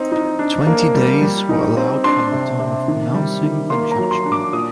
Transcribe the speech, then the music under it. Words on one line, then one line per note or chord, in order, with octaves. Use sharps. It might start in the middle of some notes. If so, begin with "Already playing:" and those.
Twenty days were allowed from the time of pronouncing the judgment.
Already playing: C4 D#4
D#4
D4
A#3
G3
G3
D#4
C4
D4 C6
C3
C3
D#3
G3
D#3
A#3 C6
A#5
F#3
C6
D4
D6
A#2 D#6